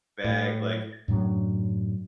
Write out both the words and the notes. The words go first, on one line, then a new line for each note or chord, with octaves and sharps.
vague, like
A2
F#2 A2 F#3 D4